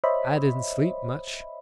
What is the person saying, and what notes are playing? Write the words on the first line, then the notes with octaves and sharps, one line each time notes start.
I didn't sleep much.
C5 C#5 D#5 E5 B5